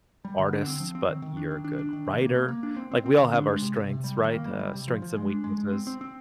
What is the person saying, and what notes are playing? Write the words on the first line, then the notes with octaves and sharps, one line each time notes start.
artist, but you're a good writer, like, we all have our strengths, right? Uh, strengths and weaknesses,
G3
D3
D4
C4
F3
C4
D#3
D#3
D4
D#3
D4
D4
D#3
C3
A#3
A#3
A#3
D4
C4
C4
C4
D3
D4
G#3
C3
C3
C3
G3
D#3
A#3
G3
G3
C3
F3
F3
G#3
D4
G#3
G#3
C4
C4
C4